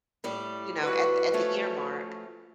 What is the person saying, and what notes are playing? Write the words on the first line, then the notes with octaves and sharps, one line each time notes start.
you know, at at the year mark,
A2 G3 G4
F#4 B4
F3 A3 C#4